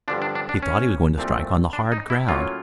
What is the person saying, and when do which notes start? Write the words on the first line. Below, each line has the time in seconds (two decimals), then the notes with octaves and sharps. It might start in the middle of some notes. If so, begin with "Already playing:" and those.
He thought he was going to strike on the hard ground.
0.08 G2 D3 F3 D4
0.22 D4
0.35 D4
0.49 D4
0.63 C#4
1.18 C2 A#2 F3 A3 C4
1.73 D4
1.92 D#4
2.10 E4
2.28 A2 F#3 A#3 C#4 F4